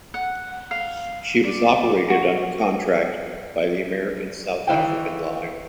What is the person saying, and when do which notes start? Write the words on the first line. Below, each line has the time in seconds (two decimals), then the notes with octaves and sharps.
She was operated under contract by the American South African Line.
0.14 F#5
0.71 F5
1.44 D5
2.10 F#4
4.67 D#3 E3 G#3 E4 F5 G5